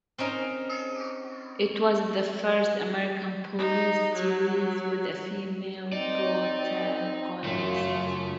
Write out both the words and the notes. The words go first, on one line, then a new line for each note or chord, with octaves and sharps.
It was the first American police series with a female protagonist.
C4 C#4 D#4 A#4
D#4
F#3
C4 D#4 D5
F#2 C#3 A3 F4 F5